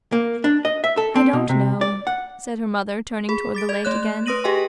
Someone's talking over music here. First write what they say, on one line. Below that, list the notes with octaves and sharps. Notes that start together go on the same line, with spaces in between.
"I don't know," said her mother, turning toward the lake again.
A#3
D4
D#5
E5
A4
C4
B2
C3
D5
F#5
G#4 B5
D6 A6 D7
D5 G#6
A3 C#5 F#6
B4 C6 D#6 A#6 D#7 F#7
G4 G#4 D#5 G5 G#5 C6